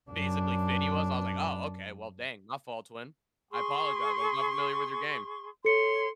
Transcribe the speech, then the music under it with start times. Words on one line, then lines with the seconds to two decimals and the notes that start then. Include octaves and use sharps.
physically fit he was. I was like, "Oh, okay. Well, dang." No fault to him. "I apologize. I was not familiar with your game."
0.11 F#2 D4
3.52 G#4 C6 C#6
5.65 A4 C#5 C6 C#7